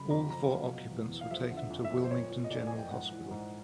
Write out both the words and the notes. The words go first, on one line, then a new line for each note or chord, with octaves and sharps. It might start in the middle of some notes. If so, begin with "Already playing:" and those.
All four occupants were taken to Wilmington General Hospital.
Already playing: C#3 F#3 B5
F2 A#5
F2 A#5
F#3 F5
B2
E2
E2
F5
F3 E5
D3
E5
F2
E5
F2
C5
A#2 C#5
F3
D#5
A#2 D5
F3 G#5
G5
G#2 F#5
E3
G#2